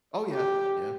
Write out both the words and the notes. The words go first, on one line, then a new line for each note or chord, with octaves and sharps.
Oh, yeah, yeah.
G4